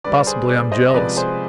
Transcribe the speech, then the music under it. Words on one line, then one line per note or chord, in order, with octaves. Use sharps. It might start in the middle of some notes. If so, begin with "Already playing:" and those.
Possibly I am jealous.
D3 G3 B4 D5
G#4 C5
B4 D5
C5 D#5
D#5
C3 F3 G#3 B4 D5
G#4 C5